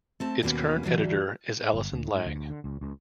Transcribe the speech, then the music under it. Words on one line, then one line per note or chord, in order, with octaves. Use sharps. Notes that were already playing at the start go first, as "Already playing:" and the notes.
Its current editor is Alison Lang.
A3 C4 A5
D#2 B2 A#3 C#4 B4
D2 E3 F#3 G3
G1
D2
G#2
D2
D3
C#2
C#2